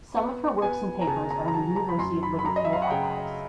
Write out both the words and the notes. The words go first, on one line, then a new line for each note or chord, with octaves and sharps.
Some of her works and papers are in the University of Liverpool archives.
B3
B3 G#5
A#5
C#3 A5
A#5
A#5
F#3 A5
A#5
B5
F#2 C6
B5
B5
F#2 A#5
D#5
E5
F5
F#5
C#3 G5